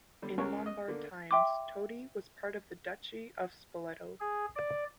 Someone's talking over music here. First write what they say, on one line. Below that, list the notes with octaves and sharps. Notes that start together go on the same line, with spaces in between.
In Lombard times, Todi was part of the Duchy of Spoleto.
D3 G3
C#2 C#4 A#4
D#5
D3 A#3
E5 G5 C6 D6
G#4
D5